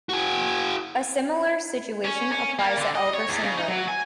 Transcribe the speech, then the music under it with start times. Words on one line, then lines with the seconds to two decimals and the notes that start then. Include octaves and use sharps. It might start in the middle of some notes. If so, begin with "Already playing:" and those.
A similar situation applies at Elverson Road.
0.09 F#4 G#4
2.05 C#4
2.32 C#4
2.59 A#3
2.78 D3
2.95 D#5
3.14 C#5
3.29 E2
3.43 C#3
3.57 D#4
3.68 F#3
3.88 G#5